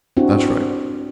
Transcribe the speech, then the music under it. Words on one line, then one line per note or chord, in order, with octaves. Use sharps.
That's right.
C4 D4 E4 F#4